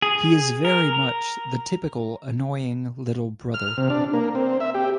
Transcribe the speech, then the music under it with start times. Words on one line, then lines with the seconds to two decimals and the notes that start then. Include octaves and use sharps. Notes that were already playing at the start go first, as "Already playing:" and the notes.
He is very much the typical annoying little brother.
0.02 G#4
0.65 A#4
0.94 A#5
3.54 F6
3.77 C3
3.90 D4
4.13 A#3
4.35 C4
4.60 E5
4.74 G4